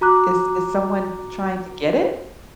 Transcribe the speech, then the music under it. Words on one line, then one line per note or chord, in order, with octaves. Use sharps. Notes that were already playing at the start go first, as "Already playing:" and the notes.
Is is someone trying to get it?
F#4 A#5 D6 F#6